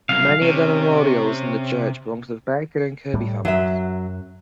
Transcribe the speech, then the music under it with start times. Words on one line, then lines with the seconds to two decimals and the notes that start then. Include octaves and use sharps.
Many of the memorials in the church belong to the Baker and Kirby families.
0.09 C2 F#2 F5
0.42 C3 C#4
3.13 A2 G3
3.45 F#2 F#3 E5